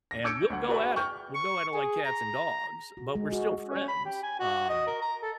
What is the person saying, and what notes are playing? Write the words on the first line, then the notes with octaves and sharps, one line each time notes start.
and we'll go at it, we'll go at it like cats and dogs, but we're still friends, um,
A#6
D6 E6 G6 G#6 C#7 D7
D2 F#5
F#4 G#4 B4 D5 E5 F#5
G5 C#6 F6 G6
C#6
G#4
A#5
F#4
G#3
F#4
C#4
B5
G4
G#5
F#4
D#5
A#4
A#5
A4